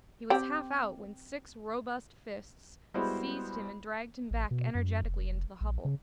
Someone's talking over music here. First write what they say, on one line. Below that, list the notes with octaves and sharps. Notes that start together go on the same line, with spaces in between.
He was half out when six robust fists seized him and dragged him back energetically into the hovel.
C4 G4
G3 G#3 B3 E4 F#4 C5
A1
B2
F#2
F1
A#1
C#3